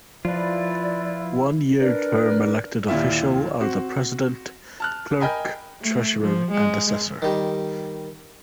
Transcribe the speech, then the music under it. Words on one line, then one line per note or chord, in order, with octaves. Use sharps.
One year term elected official are the president, clerk, treasurer and assessor.
F3 E4 F4 B4 D5
D4 A#4 B4 D5
D#2 A#2 E4 F4 E5
C4 F#4
A5 F6 F#6
A#4 D#5 G5 G#5 B5
A3
F3
G#3
D#3 G3